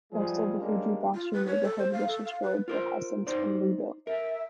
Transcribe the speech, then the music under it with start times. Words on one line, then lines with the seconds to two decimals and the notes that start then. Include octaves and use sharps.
Most of the Fuji-Bashi neighborhood was destroyed but has since been rebuilt.
0.12 F3 G3 G#3 F4 G#4
0.59 G3 G#3 A#3 C#4 D4
1.14 F4
1.33 B4
1.46 C#5
1.63 A4
1.78 C5
1.92 F5
2.07 A4
2.25 F5
2.42 B4
2.68 F4 A#4 C5
3.27 D#4 C5 D5
4.07 A#4 E5